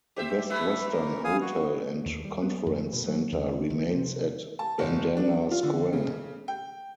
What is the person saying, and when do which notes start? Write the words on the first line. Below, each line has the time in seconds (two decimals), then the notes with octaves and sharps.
A Best Western hotel and conference center remains at Bandana Square.
0.16 G4 C5 E5
0.50 A3 A#3 B4 E5
0.91 A#4
1.24 F5 G#5 D#6
1.41 F#4
2.05 D#2
2.25 G3
2.42 B3
2.66 F2
2.93 B2
3.07 F#3
3.32 D#2
3.70 C#2
3.95 C3
4.59 A5
4.79 F#1
5.17 D4
5.51 F4
5.63 D3
5.93 C#3
6.48 G5